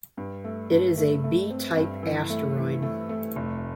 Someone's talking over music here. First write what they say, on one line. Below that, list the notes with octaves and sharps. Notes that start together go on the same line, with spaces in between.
It is a B-type asteroid.
G2
A3
G2
A3
A3
C4
G2
E3
A3
E3
A3
A3
F1